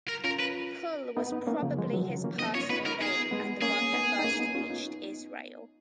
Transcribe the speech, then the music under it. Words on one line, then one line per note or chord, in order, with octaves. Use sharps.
Pul was probably his personal name and the one that first reached Israel.
A#4
C#4 F4 A#4
B4
B3 D#4
B3 D#4
A#3 C#4
C#3 F3
F3 G#3
D#3 F#3
C#3 F3
A#3 C#4
B3 D#4 D#5
C#4 F4 C#5
B3 D#4 B4
B3 D#4 A#4
B3 D#4 G#4
G#3 B3
A#3 C#4 G#4
B3 D#4
D#4
A#3 C#4
B3 D#4
C#4 F4
B3 D#4